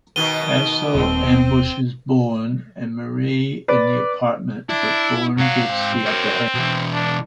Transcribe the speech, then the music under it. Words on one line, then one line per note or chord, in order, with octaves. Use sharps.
Castel ambushes Bourne and Marie in the apartment, but Bourne gets the upper hand.
B2 D#3 B3 D#7 G7
D#1 C4
B4 D5
D4 E4
G#2 F#3 F5
C4
A#4 C#5
B2 E3
D4